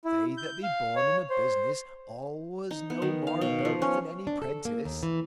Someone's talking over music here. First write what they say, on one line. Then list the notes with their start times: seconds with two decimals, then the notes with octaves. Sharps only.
They that be born in a business always know more about it than any 'prentice.
0.05 E4
0.38 G6
0.63 F5
0.96 C#5
1.30 C5
2.71 D#4
2.90 B3
3.02 D#3
3.27 F5
3.41 B2
3.65 F3
3.82 C#4
4.27 D4
4.42 A4
4.65 A#3
4.85 D#2
5.03 E3